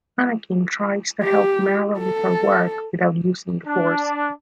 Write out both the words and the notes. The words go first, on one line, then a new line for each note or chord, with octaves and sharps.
Anakin tries to help Mara with her work, without using the force.
G4
A4
D4